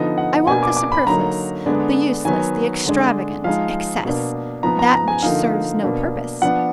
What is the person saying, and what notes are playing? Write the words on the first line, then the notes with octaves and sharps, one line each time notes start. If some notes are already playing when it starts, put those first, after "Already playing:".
I want the superfluous, the useless, the extravagant, excess, that which serves no purpose.
Already playing: D3 F3 B3 D#4 D#5
F#5
B2 A#3 D4 G#5
D6
D6
B5
D3 F#3 A#3 D#4 A#5
D3 G#3 B3 D4
D#3 F#3 B3 G#5
D3 G#3 D4
F3 G#3 D#4 F5
B2 A#3 D4
F3 B3 D#4 A#5
A#5
A#5
G#5
D3 F3 A#3 D#4 F5
B2 A#3 D4
F3 B3 D4 F#5